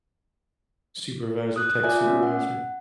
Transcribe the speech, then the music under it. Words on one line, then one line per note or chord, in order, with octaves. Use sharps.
Supervisor tech supervisor.
D#6 F#6
F4 A#4 D5 E5 G#5
A3 B3 C#4
F#5